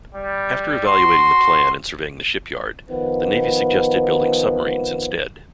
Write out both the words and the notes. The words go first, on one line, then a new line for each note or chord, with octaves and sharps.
After evaluating the plan and surveying the shipyard, the Navy suggested building submarines instead.
G3
F#4 C6
D#3 F3 B3